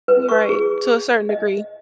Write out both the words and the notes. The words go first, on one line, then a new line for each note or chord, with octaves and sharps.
you right. To a certain degree.
B4
C#6
G#4
D#5